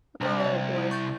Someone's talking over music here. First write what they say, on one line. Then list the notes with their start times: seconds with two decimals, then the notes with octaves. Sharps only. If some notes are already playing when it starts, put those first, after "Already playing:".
Oh, boy.
0.21 C2 D4 C5 G5
0.40 D5 D#5
0.76 E4
0.91 C#6 G6 A6